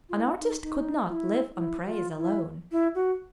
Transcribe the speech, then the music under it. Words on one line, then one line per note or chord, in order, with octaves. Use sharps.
An artist could not live on praise alone.
F4
E4
D#4
D#4
F4
E4
E4
F#4
F4
E4
E4
F#4